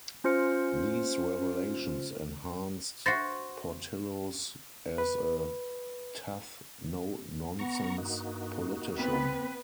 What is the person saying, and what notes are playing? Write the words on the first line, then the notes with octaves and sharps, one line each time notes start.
These revelations enhanced Portillo's as a "tough, no-nonsense" politician.
C#4 F4 C5 F6 C#7
F#4 C5 A6 A#6 C#7
B4
B3 A#5 C#6
G2 A#3 D#4 F#4
B3 C4 B4